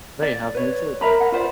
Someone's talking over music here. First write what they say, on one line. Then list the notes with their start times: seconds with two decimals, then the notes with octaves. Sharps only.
They have no children.
0.22 D5
0.54 B4 C#5
1.01 A#4 E5 A#5 B5
1.20 F#5
1.32 F4 C5 D5